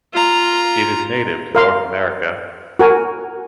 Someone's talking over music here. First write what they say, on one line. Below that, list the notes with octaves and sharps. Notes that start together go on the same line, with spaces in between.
It is native to North America.
F4 A#5
A#4 F5 C6
F#4 A#4 G#5